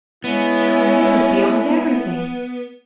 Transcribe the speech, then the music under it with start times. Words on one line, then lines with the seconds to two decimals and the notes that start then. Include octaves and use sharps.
It was beyond everything.
0.24 G#3 B3 C#4 E4